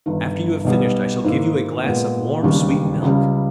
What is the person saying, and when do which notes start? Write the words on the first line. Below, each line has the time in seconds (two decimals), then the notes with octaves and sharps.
"After you have finished, I shall give you a glass of warm sweet milk."
0.06 G1 G2 D#3
0.65 B1 B2 G3
1.24 G#2 D#3 A#3 E4
1.84 A#2 G#3 B3
2.43 E1 D#2 C#3 G3
3.02 C#2 C#3 G3